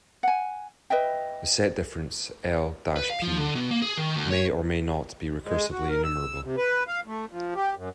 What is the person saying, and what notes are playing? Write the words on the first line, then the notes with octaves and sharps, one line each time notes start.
The set difference "L" - "P" may or may not be recursively enumerable.
F#5 G#5
B4 D#5 E5 G5
B4
F5
F3
D3
B2
A#3
G#4
D#3
D2
C#5
G#3
F#4
A#4
E6
C3
B4
F5
A3
F3
G4
F#2